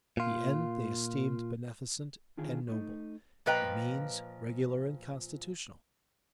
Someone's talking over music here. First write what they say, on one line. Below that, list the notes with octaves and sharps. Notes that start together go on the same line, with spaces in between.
The end they esteemed beneficent and noble; the means, regular and constitutional.
A#2 F4
D3 D#3 F4 G#4
A3 D#4
A#2 F3 B4 D#5 G5 A#5